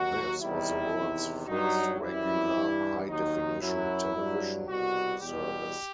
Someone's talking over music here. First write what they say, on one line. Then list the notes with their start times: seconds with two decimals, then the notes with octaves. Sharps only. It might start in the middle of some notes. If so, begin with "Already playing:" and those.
This was the world's first regular "high-definition" television service.
Already playing: D#2 D#3 F#3 F#4
0.40 E2 C3 D#3 G3 E4
0.93 E2 C3 D#3
1.47 G2 F#3 D#4
2.00 F#2 E3 G3 E4
2.54 G2 E3 G3
3.07 D#2 D#3 F#3 D#4
3.61 F#2 F#3 E4
4.15 G2 F#3
4.68 C2 B2 G3 F#4
5.21 E2 B2 G3 G4